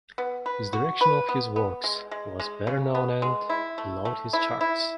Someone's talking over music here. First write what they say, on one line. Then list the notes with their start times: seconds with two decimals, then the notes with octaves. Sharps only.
His direction of his works was better known and loved his charts.
0.18 B3
0.46 B4
0.73 F#4
1.01 B4
1.29 B3
1.56 B3
1.84 G#3
2.11 G#3
2.39 G#3
2.67 C#3
2.95 B3
3.22 G#3
3.50 E4
3.78 A3
4.05 A3
4.33 E4
4.61 E4